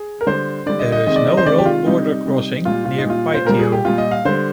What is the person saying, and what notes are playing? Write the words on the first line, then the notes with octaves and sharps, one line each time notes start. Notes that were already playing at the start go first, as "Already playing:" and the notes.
There is no road border crossing near Pythio.
Already playing: G#4
A#4
D3 G3 C5
D3 G3 D5
D#5
D#5
C3 D#3 G#3 D#5
D5
D#5
C5
C3 D#3 G#3 D5
G4
F4
C3 G3 D#4
C3 G3
A#2 G3 F4
F4
D#4
A#2 G3 F4
C5
A#2 G3 A#4
G#4
G4
A#2 G3 F4
D#5
F5
D3 G3 C5